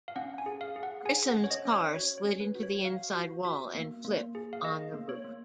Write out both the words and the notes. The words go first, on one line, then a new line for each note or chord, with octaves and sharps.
Grissom's car slid into the inside wall and flipped on the roof.
F5
C#4 F#5
G#5
G#4
F5
G#4
F#5
G#4 G#5
F#5
C#4
C#5
D#5
C#4
C#5
F#4 C#5
C#5
C#4
B4
F#4
C#5
F#4 F5
F#4
F#4
A#3
A#3
G#4
F5
G#4 D#5
A#3
C#5
A#3